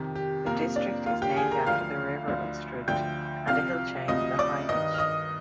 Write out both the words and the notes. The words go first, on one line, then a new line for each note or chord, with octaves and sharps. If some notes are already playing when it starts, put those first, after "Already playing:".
The district is named after the river Unstrut and a hill chain, the Hainich.
Already playing: F2 C3 D#3 G4
G4
F2 C3 F3 A#3 A#4
D4 D5
D#2 D#3 F4 F5
G4 G5
G#4 G#5
A#4 A#5
D2 D3 F3 F5 F6
D2 D3 F3
D2 D3 F3 G5 G6
C2 C3 F3 F5 F6
D2 C3 F3 D#5 D#6
D5 D6
G2 D#3 D#5 D#6
F6
D#5 D#6